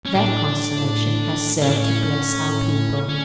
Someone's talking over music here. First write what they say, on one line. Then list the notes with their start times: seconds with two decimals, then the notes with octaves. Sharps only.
That constellation has served to bless our people.
0.06 C#4
0.15 A2 D4
1.62 C#4
1.70 D4
1.78 C#4
3.08 D3 C#4